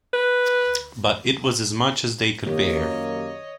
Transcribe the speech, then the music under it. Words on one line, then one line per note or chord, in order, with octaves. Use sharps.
But it was as much as they could bear.
B4
F#2 D#3 A#3 G4 C#5 D#5